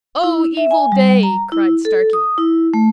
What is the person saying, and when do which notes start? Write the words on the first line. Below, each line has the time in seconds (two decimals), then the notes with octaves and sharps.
"O evil day!" cried Starkey.
0.24 E4
0.57 E5
0.71 G#5
0.92 G3
1.23 A#5
1.52 E4
1.85 A4
2.13 D#6
2.38 E4
2.74 A3